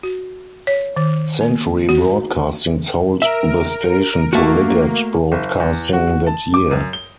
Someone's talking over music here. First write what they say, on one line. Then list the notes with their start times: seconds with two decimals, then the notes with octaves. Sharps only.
Century Broadcasting sold the station to Liggett Broadcasting that year.
0.03 F#4
0.67 C#5
0.96 D#3
1.41 A#3
1.89 F#4
3.22 A#4 E5 D7
4.33 A3 A#3 F#4
5.32 F#1
5.60 E2
5.93 F#4
6.27 A5
6.54 D6
6.71 F#2
6.93 G7